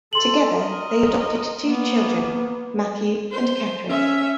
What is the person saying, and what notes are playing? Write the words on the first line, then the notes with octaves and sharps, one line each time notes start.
Together they adopted two children, Matthew and Katharine.
A4 C6 F#7
A#4 D#5
A#3 B3
C5
C#4 E5